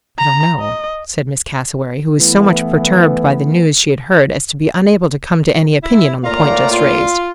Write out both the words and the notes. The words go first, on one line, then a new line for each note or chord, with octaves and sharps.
"I don't know," said Miss Cassewary, who was so much perturbed by the news she had heard as to be unable to come to any opinion on the point just raised.
A#5
D#5
E3 A3 B3 E4
E4
A2 A#3 F4 D5 F5 A#5
F4